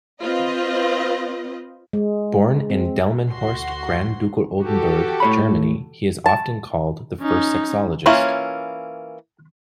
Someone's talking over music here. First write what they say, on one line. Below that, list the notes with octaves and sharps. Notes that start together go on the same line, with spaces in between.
Born in Delmenhorst, Grand Ducal Oldenburg, Germany, he is often called the first sexologist.
C4 F4 B4 D#5
G#3
C4
D2 F#4 C6
F#4 G4 A4
A2 C#5 B5
A5
C#4 D#4
E3 A#3 C#4 E4 F4